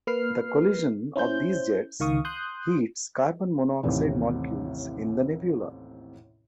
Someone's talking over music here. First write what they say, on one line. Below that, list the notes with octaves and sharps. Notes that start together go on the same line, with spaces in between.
The collision of these jets heats carbon monoxide molecules in the nebula.
A#3 B4 F6 C7
C#4 E4 C5 G6
C#2 D#3 F5 C#6 D#6
C6 D#6 F#6 G6
A1 D#2 A2 C3 E3